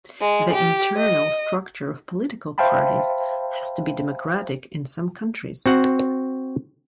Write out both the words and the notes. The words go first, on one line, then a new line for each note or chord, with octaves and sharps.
The internal structure of political parties has to be democratic in some countries.
G#3
G4
D#5
C5 E5 F5 G5 A5 B5
C4 F#4 F#5